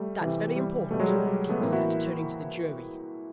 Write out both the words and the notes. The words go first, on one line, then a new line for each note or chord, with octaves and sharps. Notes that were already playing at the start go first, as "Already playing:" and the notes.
'That's very important,' the King said, turning to the jury.
Already playing: G3 A3
C3 E3
G3
B2 G3 A3
F#3 G#3
G3
F#3
G3
A3 B3
A2 E3 A#3 C4
E4 F#4